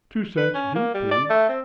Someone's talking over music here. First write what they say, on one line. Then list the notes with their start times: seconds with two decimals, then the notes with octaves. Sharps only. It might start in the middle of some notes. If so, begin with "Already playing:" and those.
"Two cents due, please."
0.37 B4
0.55 C#4
0.75 A#3
0.94 G3
1.11 D5
1.30 A3
1.49 C4